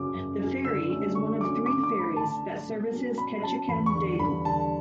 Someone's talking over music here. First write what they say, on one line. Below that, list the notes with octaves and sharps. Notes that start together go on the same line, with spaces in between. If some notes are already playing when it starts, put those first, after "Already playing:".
The ferry is one of three ferries that services Ketchikan daily.
Already playing: F#2 C#3 F#3 C#4 D6
F#2
C#3 F#3 C#4
D3 E6
F#3 A3 C#4 E6
D3 C#6
F#3 A3 C#4 D6
D3 D6
D6
A3 D4
B5
D3 A5
A3 D4
B2
F#3 C#4
B2 B5
F#3 C#4 A5
E2 B5
C#6
D3 G3
E2 B5
D3 G3 A5